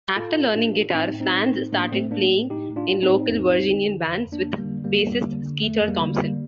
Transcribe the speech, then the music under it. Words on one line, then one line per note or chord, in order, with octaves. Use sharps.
After learning guitar, Franz started playing in local Virginian bands with bassist Skeeter Thompson.
A2 F4 A4
A2
A2 D4 F4
A2
A2 C4 D#4
A2
C4 D#4
A2
C4 D#4
A2
A2 A#3 D4
A2 A3 C4
A2 A#3 D4
A2
A2 D#4 G4
A2
D4 F4
A2
C4 D#4
A2
F2
F2
D3
D3
F2
F2
A#3 D4
D3
G3 A#3
D3
F2 G3 A#3
F2
D3
D3
F2 A3
F2
G3 A#3
D3
G3 A#3
D3